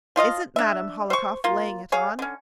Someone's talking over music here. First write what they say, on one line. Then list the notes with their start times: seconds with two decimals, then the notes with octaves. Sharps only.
"Isn't Madame Hohlakov laying it on?"
0.16 F3 F4 D#5 F5
0.56 D4 E5
1.10 C5 C#6
1.44 A#3 F4
1.92 G#4 C#5 F5
2.19 D3 C#4